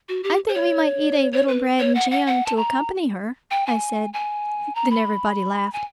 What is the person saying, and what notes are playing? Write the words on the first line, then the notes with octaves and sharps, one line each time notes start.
"I think we might eat a little bread and jam to accompany her," I said. Then everybody laughed.
F#4
G4
C5
C#5
C#5
B4
C#5
F#5
F#5
F#5
A5
A#5
G5
G#5
G#5
A#5
B5
G#5